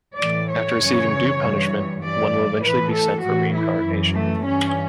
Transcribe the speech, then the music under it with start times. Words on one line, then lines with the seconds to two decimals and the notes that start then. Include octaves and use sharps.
After receiving due punishment, one will eventually be sent for reincarnation.
0.17 A2 E3 D5
0.48 C#5
0.78 F#2 C#3 E3
1.39 G2 E3
2.00 G2 E3 D5
2.61 A2 E3 B4
2.92 A4
3.22 A2 E3 F#4
3.53 E4
3.84 F#2 E3
4.13 A3
4.44 G2 E3 C#4